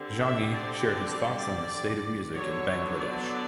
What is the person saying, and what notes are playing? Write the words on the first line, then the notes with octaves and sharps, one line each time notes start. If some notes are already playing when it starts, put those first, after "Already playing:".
Jangi shared his thoughts on the state of music in Bangladesh.
Already playing: D3 G3 C4
E5
D5
D3 F#3 B3 C#5
D5